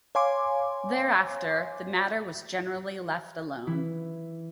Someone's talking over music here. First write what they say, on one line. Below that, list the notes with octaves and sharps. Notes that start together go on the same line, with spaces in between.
Thereafter, the matter was generally left alone.
C#5 F5 G#5 C6 D6
E3 E4